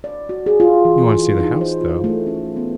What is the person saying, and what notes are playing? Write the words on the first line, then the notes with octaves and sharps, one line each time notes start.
"You want to see the house, though?"
D5
F#4
G#4
F4
E3
E3
D#4
C5
F4
A3
C#4
B3